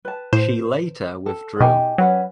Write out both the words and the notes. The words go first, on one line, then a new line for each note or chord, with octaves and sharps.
She later withdrew.
B4 A5
A2 C5 E7
A4
B2 D#4 G4 G#5
F#3 C#4 B4 F#5